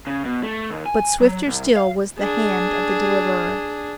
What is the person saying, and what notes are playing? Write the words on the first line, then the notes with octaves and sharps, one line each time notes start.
But swifter still was the hand of the deliverer.
C#3
B2
A3
D#2
G#5
F#3
C2
F5
D4 G#4